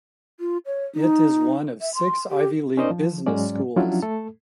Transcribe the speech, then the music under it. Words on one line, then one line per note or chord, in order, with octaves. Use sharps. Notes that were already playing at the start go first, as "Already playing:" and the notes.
It is one of six Ivy League business schools.
F4
C#5
D#4
E5
C6
G4
C#4 D#4 A#4 C5 D5 D#5
F3
G#2 F#3 G#3 C#4 D5
F3 F#3 C#4 D4 E4 F4
A3 A4